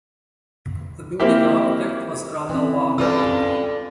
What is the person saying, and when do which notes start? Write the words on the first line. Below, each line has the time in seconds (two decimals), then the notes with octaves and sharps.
The building architect was Randall Wagner.
1.20 A#3 C4 E4 G4
2.50 E3 C4 C#4
2.98 G2 G#3 F4 A4 B4 D5 E6